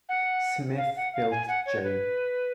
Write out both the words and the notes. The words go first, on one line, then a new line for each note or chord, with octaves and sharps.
Smith built J.
F#5
F5
F#5
F5
G#5
F#5
C#5
B4